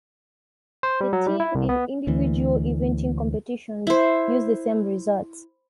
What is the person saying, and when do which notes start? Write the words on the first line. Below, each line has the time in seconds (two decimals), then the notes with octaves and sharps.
The team and individual eventing competitions used the same results.
0.83 C5
1.01 G3
1.13 F#3
1.27 G3
1.40 E4
1.55 C2
1.69 B3
2.07 D2 E3
3.87 E4 C5